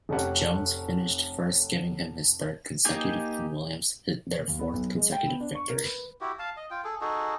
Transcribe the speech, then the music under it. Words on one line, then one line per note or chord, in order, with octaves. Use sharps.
Jones finished first giving him his third consecutive and Williams their fourth consecutive victory.
F1 C#4 G4 F#5
A#3 D#4 G4 D#5 G#5
D#2
B3
B1
G#3
G5
B3
D4
C#6
A#4
B4
E4 F#4 G4
F5 A5
D#5
F4 G5
G#4 A4
D#4 F#4 G#4 A4